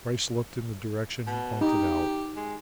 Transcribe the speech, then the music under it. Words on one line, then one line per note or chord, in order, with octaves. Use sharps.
Bryce looked in the direction pointed out.
B2
D#4 G4
G#3